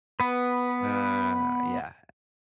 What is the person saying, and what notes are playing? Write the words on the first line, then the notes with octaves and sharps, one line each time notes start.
Uh, yeah.
B3 B4